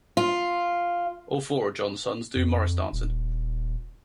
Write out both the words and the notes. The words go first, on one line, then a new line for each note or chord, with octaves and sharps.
All four of John's sons do morris dancing.
F4
F2
D#1